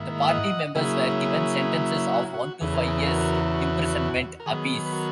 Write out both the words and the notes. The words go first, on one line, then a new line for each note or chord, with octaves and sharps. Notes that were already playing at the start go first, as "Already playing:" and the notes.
The party members were given sentences of one to five years' imprisonment apiece.
Already playing: G#2 D#3 A#3 E4
E5
D#5 F#5
C#3 F#3 A#3 E4 G#4
F#4
F#4
E2 C#3 E3 G#4
A#4
G#4
G#4
F#4 A#4
F#4
A#4
D#3 F#3 B3 G#4
B4
F#4 A#4